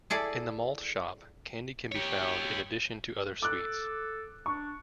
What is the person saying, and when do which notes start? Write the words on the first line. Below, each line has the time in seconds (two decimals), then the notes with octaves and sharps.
In the malt shop, candy can be found in addition to other sweets.
0.10 E4 G#4 A4 D5
1.92 G4 C#5
3.42 A4 D6 F#6
4.46 D4 C#6